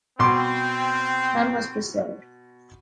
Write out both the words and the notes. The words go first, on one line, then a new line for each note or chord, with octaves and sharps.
None was preserved.
B2 C4 C6 D6